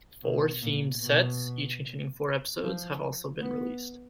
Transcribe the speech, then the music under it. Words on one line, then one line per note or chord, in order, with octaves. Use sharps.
Four themed sets, each containing four episodes, have also been released.
B2
A#2
B2
F3
B3